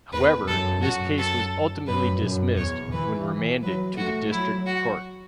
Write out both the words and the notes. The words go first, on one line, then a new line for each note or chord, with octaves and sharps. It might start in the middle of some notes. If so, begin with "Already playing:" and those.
However, this case was ultimately dismissed when remanded to the District Court.
E2 B4
F#2 A4
F#2 F#4
A4
F#2 B4
F#2
E2 C#5
E3 B4
F#3 B4
A3 F#4
F#3 E4
F#4